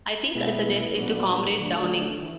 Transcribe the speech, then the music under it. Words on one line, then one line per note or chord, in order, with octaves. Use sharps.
I think I'll suggest it to Comrade Downing.
B2 G#3 B3 E4
A#2 F#3 B3 D4
D3 F#3 A3 D4
E3